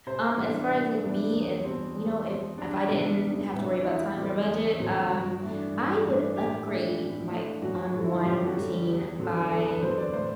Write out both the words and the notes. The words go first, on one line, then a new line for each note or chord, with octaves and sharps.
um, as far as, like, me, if you know, if if I didn't have to worry about time or budget, um, I would upgrade my unwind routine by
C3 C5
E3 G3 B3 D4
C3
E3 G3 B3 D4
E2
B2 G3 C4
E2
B2 G3 C4
E2 D4
C3 E3 B3 D4
E2
C3 E3 B3 D4
E2 E4
D3 F#3 C4
E2
D3 F#3 C4
G2 F#4
E3 A3 D4
G2
E3 A3 D4
A2 G4
E3 A3 D4
A2
E3 A3 D4
F#2 F#4
F#4
D3 G3
E4
F#2 G4
F#4
D3 G3
E2
D3 F#3 C4
E2 A4
B4
D3 F#3 C4 C5
D5
A2 C5